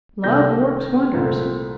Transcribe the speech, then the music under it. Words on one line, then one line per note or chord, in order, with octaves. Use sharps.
Love works wonders.
C2 C3 D#3 A3 G6 A#6
C2 A#2 F3 A3 C4